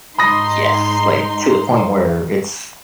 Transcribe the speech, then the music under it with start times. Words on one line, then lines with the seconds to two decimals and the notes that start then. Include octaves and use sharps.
Yes. Like, to the point where it's
0.18 G#2 D#4 B5 C6 D#6 A#6